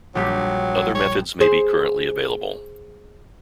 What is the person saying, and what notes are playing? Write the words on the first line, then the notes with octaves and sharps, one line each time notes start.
Other methods may be currently available.
A#1 F#3 G3 G4
C#5
G#4 C5